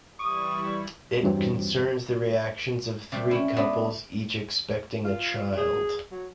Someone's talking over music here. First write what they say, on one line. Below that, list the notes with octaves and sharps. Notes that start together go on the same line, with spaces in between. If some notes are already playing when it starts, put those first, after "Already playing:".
It concerns the reactions of three couples each expecting a child.
E3 G3 E4 C#6 D#6
E2 G2 E3 F#3 C4
C3 G3 A3
C#4 E4
G#3 A3 B3 D4
F4
G#4
F#3